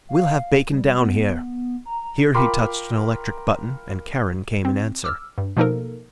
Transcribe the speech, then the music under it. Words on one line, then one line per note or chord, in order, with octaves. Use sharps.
"We'll have Bacon down here." Here he touched an electric button, and Charon came in answer.
F5
G3
B3
A#5
F4 A#4 G5 B5 C6 D6
C4
D6 E6 F6
G2
B2 F3 A#3 D#4 A4 A#4